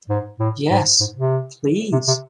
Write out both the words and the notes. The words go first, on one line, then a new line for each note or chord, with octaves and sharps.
Yes, please.
G#2
A2
G#2
G#2
C3
C3
C3